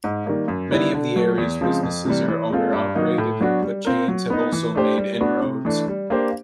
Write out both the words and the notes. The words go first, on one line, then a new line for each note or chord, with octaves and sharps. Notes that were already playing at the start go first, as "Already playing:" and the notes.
Many of the area's businesses are owner-operated but, chains have also made inroads.
G#2
D#3 G3 A#3
F#2
D#3 G3 B3 E4
D3
F#3 A3
E2
C#3 F3 G#3 C4
F2
C3 E3 G3
E3
G#3 C4 F4 A4
G2
D#3 F#3 A#3 D#4
A2
F#3 B3 D4 F#4
G3
C4 F4 A#4
F#3
B3 D#4
E3
A3 D4 G4 C5
G3
B3 D4 F#4
C3
E3 A3 D4
G3
A#3 D4 G4 C5